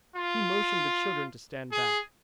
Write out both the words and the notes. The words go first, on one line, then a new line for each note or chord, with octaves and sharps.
He motioned the children to stand back.
F4
G#4